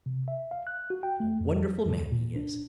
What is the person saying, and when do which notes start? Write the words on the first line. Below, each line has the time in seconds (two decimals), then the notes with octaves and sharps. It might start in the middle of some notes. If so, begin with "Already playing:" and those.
A wonderful man he is.
0.06 C3
0.28 E5
0.51 F5
0.67 F#6
0.90 F#4
1.03 G5
1.20 A3
1.41 F2
1.62 F#3
1.85 F2
2.11 A#2
2.36 D4